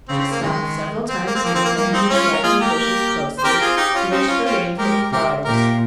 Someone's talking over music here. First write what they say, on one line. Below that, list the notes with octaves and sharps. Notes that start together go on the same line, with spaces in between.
She stopped several times to examine the shrubs and bushes closely, to wish for rain for the flowers.
C#3 C4
C4
A#3
D#3 G#3
C4
A#3
C4
F3 A#3
C4
A#3
G3 A#3
C4 D#4
G#3 C#4 F4
A#4
A#3 F4 G#4
G4 A#4
A#3
C5
C4 G4 A#4
F4 G#4
D#4 G4
C#4 F4
C4 C#4 D#4
C#4 F4
C4 C#4 F4
G#3 G4 A#4
C3 G4 A#4
A#2 G4 A#4